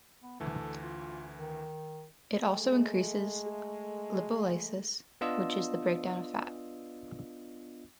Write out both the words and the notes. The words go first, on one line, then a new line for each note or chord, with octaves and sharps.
It also increases lipolysis, which is the breakdown of fat.
B3
D2 E3 A3 A4
F4
D#3
G#3 A3
B3 D4 F4 D#5 E6